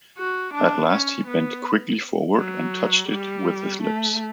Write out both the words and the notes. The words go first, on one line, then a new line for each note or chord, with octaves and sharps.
At last he bent quickly forward and touched it with his lips.
F#4
D4
C#4
B3
F#3
G3
A3